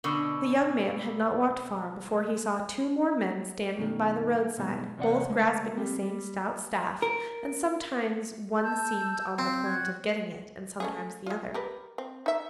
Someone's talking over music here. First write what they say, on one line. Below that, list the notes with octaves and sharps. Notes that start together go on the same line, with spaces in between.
The young man had not walked far before he saw two more men standing by the road-side, both grasping the same stout staff, and sometimes one seemed on the point of getting it, and sometimes the other.
B2 D3
F#2 B2 D3 D#3
G#2 B2 D#3 G3 G#3
E2 C3 D5 F#5
C#3 G#3 A3
G3 C4
G3
A#4
A5 E6 G6
C4 F5
F#4 G#6
A3 C#4 G#4
G#3 F4
G4 A#4 B4
C4
D#4 E5